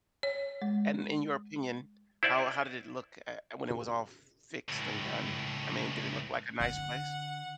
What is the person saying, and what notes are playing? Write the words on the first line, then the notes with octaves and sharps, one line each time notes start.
And, in your opinion, how how did it look, eh and when it was all f fixed and done? I mean, did it look like a nice place?
C#5
G#3
E4 C5 D5 E5 F#5
C#2 A2
D3 F#5